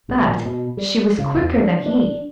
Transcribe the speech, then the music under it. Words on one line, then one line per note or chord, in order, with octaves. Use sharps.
But she was quicker than he.
B1
A#2
B2
G3
C#3
E2
D4
D4